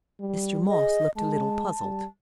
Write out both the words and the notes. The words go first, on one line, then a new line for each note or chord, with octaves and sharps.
Mr. Moss looked a little puzzled.
G3
G#4 D#5
G#3 A5
G3